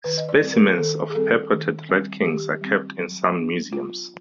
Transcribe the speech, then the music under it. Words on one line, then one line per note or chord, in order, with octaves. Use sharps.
Specimens of purported rat kings are kept in some museums.
D#3 B4
D#5
D5
G3 C4
A#4
D#3 A4
G#4
G3 C4 A4
D#3
G3 C4
D#3 G4
G3 C4
F#3
B3 D4
F#3 F4